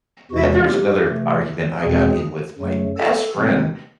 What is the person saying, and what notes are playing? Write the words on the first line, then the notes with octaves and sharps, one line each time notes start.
Man, there's another argument I got in with my best friend
E2 C3 E3 G#3 F#4
G4
C3 E3 A3
E2 B2 G#3 C4 G#4
F#2 C#3 F#3 A3
A4
C3 E3 G#3 C4